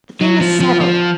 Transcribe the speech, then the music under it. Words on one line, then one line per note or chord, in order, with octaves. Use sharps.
The thing is settled.
F#3
F3
F3
F3